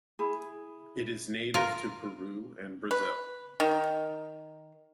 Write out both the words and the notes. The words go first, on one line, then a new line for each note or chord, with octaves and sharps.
It is native to Peru and Brazil.
E4 G#4
F4 A#4
B4
D#3